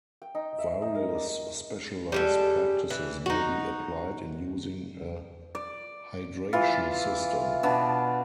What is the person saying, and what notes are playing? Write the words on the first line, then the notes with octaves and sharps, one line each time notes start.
Various specialized practices may be applied in using a hydration system.
G5
D#4
E5
D#4
A#4
D5
G3 G#3 A4
E3
D#4 F#4
D5
E3 F4
B2 D4 A5